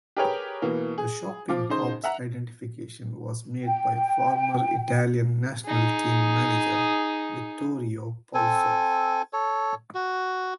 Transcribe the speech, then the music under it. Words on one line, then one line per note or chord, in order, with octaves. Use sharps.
The shocking corpse identification was made by former Italian National Team manager Vittorio Pozzo.
G4 G#4 A#4 B4 C#5 G5
B2 E3 A#3
G#4
F3 F4 D6
C#3 D#4 C5
E5 F#5 A#5
G5
D#4 G#4
C4 A4 G#5
A4 C#5
F#4